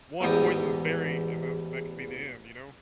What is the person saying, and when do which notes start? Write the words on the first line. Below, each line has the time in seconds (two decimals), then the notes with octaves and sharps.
one poisonous berry, and tha that could be the end, you know?
0.21 A1 E2 G#2 B3 G5 D#6